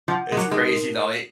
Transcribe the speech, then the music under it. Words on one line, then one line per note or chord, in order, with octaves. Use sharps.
It's crazy though, it
F3 F#5
G#3 A#4
F#3
G#3 D#4
A#4